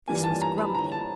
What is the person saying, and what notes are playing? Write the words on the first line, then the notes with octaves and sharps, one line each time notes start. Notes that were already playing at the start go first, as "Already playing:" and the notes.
This was grumbling.
G2 E3 G3 A#3 G#5
A5
A#5
B5
A#5
A5